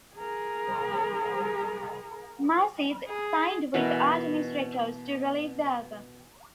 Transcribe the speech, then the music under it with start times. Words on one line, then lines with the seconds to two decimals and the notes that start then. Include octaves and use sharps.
Mascis signed with Artemis Records to release the album.
0.16 G#4 A#4
3.09 G#4
3.74 B2 E3 A#4 B4